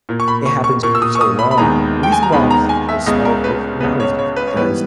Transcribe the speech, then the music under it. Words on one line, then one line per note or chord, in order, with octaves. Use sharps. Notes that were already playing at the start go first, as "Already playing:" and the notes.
it happens for so long like, the reason why I'm such a small person now is just because
A#2 A#3
C#6
B5
C#6
C#6
A#2 A#3 C#6
E6
D#6
C#6
D#6
B5
B5
D#2 D#3 G#3 B3 A#5
G5
G#5
A#5
D#2 D#3 G#3 B3 B5
A#5
G#5
E5
C#2 C#3 G#3 B3 D#5
A#4
B4
C#2 C#3 G#3 B3 B4
C#5
C#5
B4
C#5
G#2 E3 G3 B3 B4